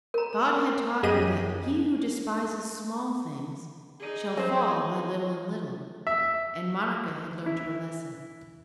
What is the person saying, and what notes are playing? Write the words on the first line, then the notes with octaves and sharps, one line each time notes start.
God had taught her that "he who despises small things shall fall by little and little," and Monica had learnt her lesson.
A#4 A#5
F#2 G4 G#4 D#5 D#7
D#4 G#4
F#3 C5
E5
E4